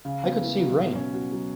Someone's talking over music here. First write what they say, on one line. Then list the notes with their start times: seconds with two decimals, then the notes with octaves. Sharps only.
I could see rain.
0.05 C#3
0.24 B3
0.42 E4
0.59 F#3
0.77 B2
0.95 C#4
1.14 F#4
1.32 F#3